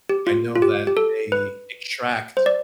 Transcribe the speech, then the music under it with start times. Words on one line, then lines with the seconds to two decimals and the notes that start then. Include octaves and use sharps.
I know that they extract,
0.09 G4
0.27 F4
0.55 F4
0.62 G4
0.87 G4
0.97 A4
1.32 B4
2.37 C5
2.46 D5